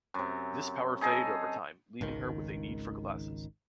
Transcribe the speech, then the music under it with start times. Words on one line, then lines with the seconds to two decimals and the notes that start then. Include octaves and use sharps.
This power faded over time, leaving her with a need for glasses.
0.14 F#2 C3
1.01 D#4 G#4 A4 D#5
2.01 G#1 C#2 D#3